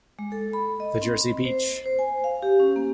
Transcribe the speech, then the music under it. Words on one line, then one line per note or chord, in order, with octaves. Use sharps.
The Jersey beach!
G#3
A4
B5
D#5
C4
C5
C5
G#5
F5
G4
C#4
A#3